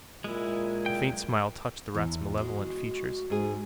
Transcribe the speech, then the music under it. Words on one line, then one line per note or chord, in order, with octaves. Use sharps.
A faint smile touched the Rat's malevolent features.
A#2 G#3 E4
B1 G5
E2 E4
G#3 F#4
G#2 G#4